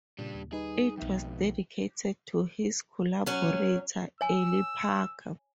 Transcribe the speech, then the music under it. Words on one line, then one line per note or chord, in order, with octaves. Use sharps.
It was dedicated to his collaborator, Ely Parker.
A#2 C#3 G3 D4
D#2
G3 D#4 G#4 B4
B1 F2 B2 E5 G5
F#3 C#4
C#5 G#5 E6